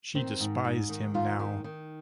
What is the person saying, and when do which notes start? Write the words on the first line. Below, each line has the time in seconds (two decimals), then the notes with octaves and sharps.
She despised him now.
0.15 D#3 C4
0.40 G#2
0.65 G#2
0.89 D#3
1.14 G#2 F4
1.39 D#3
1.64 D#3